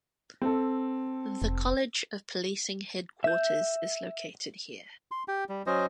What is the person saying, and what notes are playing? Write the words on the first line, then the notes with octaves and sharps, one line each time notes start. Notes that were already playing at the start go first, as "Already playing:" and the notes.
The College of Policing headquarters is located here.
C4 A4
F1
E5 G6
C6
G4 G5
G3
F#3 C#4 C5 D#5